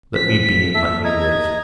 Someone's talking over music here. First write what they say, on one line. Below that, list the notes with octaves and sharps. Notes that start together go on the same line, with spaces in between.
Let me be and let me live.
F3 C#4 G#4 B6
A#3 A4 E5
D#5 A#5 G#6